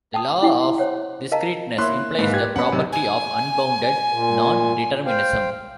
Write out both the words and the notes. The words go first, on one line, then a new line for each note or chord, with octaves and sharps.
The Law of Discreteness implies the property of unbounded nondeterminism.
G5 A5 D#6
C#4 E4 G4 G5 G#5
C5 C#5 F#5
A#4 D#5 F5 A5 A#5
A#3 E4 C#5 E5 C6 F#6
G#2 A#3 B4
G4 G#6
B3 C#4 F#5 B5
C3 F#3 C4 D#4
G#5
A#2
C5 F5 G5